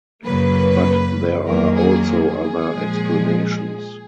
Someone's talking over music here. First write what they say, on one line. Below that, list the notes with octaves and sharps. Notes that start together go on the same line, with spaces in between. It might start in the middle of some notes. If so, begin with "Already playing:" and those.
But there are also other explanations.
F#2 C#3 F#3 A#3 B4
F2 D#3 F#3 A#3 A#4
G#4
G#4
A#2 F3 G#3